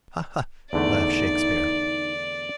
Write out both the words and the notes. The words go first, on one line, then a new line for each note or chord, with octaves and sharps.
"Ha-ha!" laughed Shakespeare.
E2 D3 A3 D#4 D5